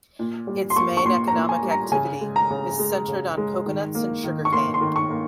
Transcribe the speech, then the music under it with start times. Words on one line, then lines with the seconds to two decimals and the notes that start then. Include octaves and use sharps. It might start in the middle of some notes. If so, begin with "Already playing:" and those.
Its main economic activity is centered on coconuts and sugarcane.
0.19 A#2
0.47 G3
0.70 C6
0.76 A#3 C#6
0.97 C#6
1.05 A#2 C6
1.28 A#5
1.35 A#2
1.49 G#5
1.63 G3
1.71 A#5
1.92 C#3 G#5
2.21 G#3
2.36 A#5
2.51 C#3
2.79 G#3
3.08 C#3
3.37 G#3
3.66 D#3
3.95 A#3
4.24 D#3
4.45 C#6
4.52 A#3 C6
4.74 C6
4.81 D#3
4.96 C#6
5.11 A#3